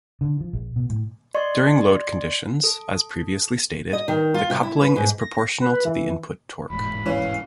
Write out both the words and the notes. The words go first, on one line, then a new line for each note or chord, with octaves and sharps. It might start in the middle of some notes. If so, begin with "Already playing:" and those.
During load conditions, as previously stated, the coupling is proportional to the input torque.
D3
F3
A#1
B2
A2
D5 D#5 C6 C#6
A4
D#5
D#3
F4
C3
E4
B4
G#2
A#6
B4
B4
E3
E1 A1 G#2 B5
E3 C#4 F5